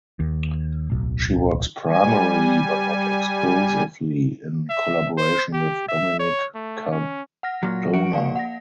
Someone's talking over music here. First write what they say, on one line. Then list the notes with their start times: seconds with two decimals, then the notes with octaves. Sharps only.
She works primarily but not exclusively in collaboration with Dominique Cardona.
0.20 D#2
0.90 D1 B1
1.87 G3 G#5
4.70 E5
5.18 C5
5.53 G4
5.88 E5
6.19 C#5
6.55 A3
6.92 C#4
7.43 F#5 F6 A#6
7.63 A#2 F#3
7.93 F3 F#4 C#7 D7
8.13 A#3 D5 F5
8.36 F#5 A#6